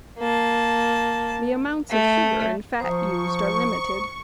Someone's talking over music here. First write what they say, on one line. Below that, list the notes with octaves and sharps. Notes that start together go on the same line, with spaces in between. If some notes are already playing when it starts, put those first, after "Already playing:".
The amounts of sugar and fat used are limited.
A#3 A5
A3
F3 C5 A#5 C#6 D#6